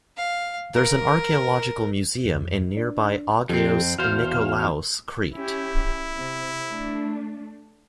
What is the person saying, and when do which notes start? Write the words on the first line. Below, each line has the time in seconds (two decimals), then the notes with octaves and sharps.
There's an Archaeological Museum in nearby Agios Nikolaos, Crete.
0.17 F5
0.74 A#4
2.25 F2
2.77 D4
3.49 F2 F3 C4 G4 A4
3.98 E2 F#4 C5 F5 F6
5.34 C#4 E4 G4
6.14 C3
6.68 A3 D4